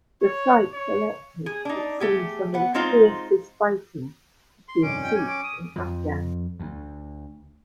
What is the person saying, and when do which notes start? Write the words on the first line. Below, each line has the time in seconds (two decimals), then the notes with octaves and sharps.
The site selected had seen some of the fiercest fighting between Sikhs and Afghans.
0.22 C#5
0.73 C#5
1.46 G#4
1.65 D4 D#4
2.00 A3 G4 G#4
2.54 B3 F#5
2.74 G#3 C4 D#4 F4 C5
4.68 C6
4.83 F1 G2 D#3 C#4 D6
5.03 F4 D#5 G5
5.16 F#3 G#5 D6
5.28 C#6 D6 D7
5.44 D#6
5.76 F2 F3
6.60 D2